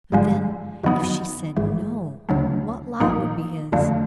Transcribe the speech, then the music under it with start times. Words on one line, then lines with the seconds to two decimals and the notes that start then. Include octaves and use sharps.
But then, if she said "no," what lot would be his?
0.12 G#1 G2 D3 F3 G#3
0.83 F#2 D#3 F#3 B3 D#4
1.56 G#1 G#2 E3
2.29 D2 C#3 F#3 A3
3.00 A#1 A#2 F3 A#3 D#4
3.72 F2 D3 F3 A3